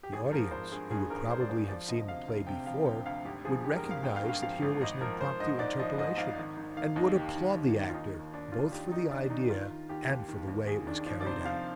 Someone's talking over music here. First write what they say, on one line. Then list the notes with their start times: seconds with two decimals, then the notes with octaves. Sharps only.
The audience, who would probably have seen the play before, would recognize that here was an impromptu interpolation, and would applaud the actor both for the idea and for the way it was carried out.
0.03 G4
0.13 G#1 G#4
0.32 F3 A#4
0.51 G#1 C5
0.71 G2 G#4
0.91 G2 G#4
1.10 G#1 A#4
1.30 G2 C5
1.40 D5
1.49 G#1 C5
1.68 F3 D5
1.88 D2 D#5
2.08 C3 F5
2.28 D2
2.47 C3 G5
2.66 F3 F5
2.86 D2 G5
3.06 D2 F5
3.25 G#1 G4
3.45 F3 G#4
3.64 F3 G4
3.77 A#4
3.83 G#1
3.91 F5
4.03 G#1 G5
4.16 F5
4.23 G2
4.29 F5
4.42 F3 F5
4.62 G#1
4.81 G#1 D#5
5.01 F3 A#4
5.20 G#1 C5
5.40 G#2 D#5
5.59 G#2 D5
5.79 F3 D#5
5.98 G#2 D#5
6.18 G#1 F5
6.38 D#3
6.57 D#3
6.76 D#3 F5
6.96 D#2 D#5
7.15 D#3 G4
7.35 D#3
7.54 D#2
7.75 D#3
7.90 F4
7.93 D#2 D#4
8.13 D#3
8.34 D#2 D4
8.52 D#3 F4
8.72 D#2 G4
8.91 D#3 D#4
9.11 D#2 D4
9.30 D#3 D#4
9.50 D#3 F4
9.70 D#3
9.89 D#2 G4
10.09 D#2 G4
10.28 D#3
10.48 D#2
10.67 D#2 G#4
10.87 D#3 D4
11.06 F3 D4
11.21 D5
11.25 C3 C5
11.45 F3 F5